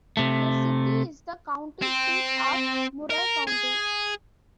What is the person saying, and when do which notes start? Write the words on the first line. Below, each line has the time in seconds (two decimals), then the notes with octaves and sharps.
The city is the county seat of Murray County.
0.17 C3 A3
1.82 C4
3.10 A#4
3.47 G#4